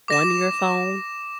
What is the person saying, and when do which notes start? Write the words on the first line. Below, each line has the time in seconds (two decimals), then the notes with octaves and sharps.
on your phone,
0.08 D6 A#6 E7